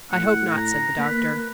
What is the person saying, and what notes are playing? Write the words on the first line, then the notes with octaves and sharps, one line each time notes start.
"I hope not," said the doctor.
A2 F#5
A#5
A#3 B4